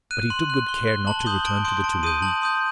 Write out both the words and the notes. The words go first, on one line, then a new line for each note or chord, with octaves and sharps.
But he took good care not to return to the Tuileries.
F#6 D#7
C6 F#7
F#6
C6 G7
F#6
A5 F#7
G7
C6 D#6 G6 F#7
A5 D7
C6 D#6 G6 D7
A5 D7
C6 D#6 G6 D#7
A5 F#7
C6 D#6 G6